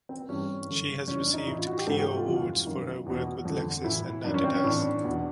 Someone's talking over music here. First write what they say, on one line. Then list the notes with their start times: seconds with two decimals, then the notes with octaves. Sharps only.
She has received Clio awards for her work with Lexus and Adidas.
0.09 C4
0.29 G2 E3 C#4
0.69 F#2 D3
1.07 F2 C#3 E3 C#4
1.21 D4
1.34 D#4
1.47 A2 E3 E4
1.58 F4
1.67 F#4
1.77 G4
1.87 G#2 E3 A4
1.97 G4
2.07 F#4
2.17 F4
2.27 F2 C#3 E3 F4
2.66 F#2 D#3
3.06 E2 B2
3.45 F2 D3
3.84 A2 E3 E4
4.25 F#2 D#3 D4
4.34 C#4
4.44 C4
4.54 C#4
4.64 A2 E3 D4
5.04 E2 B2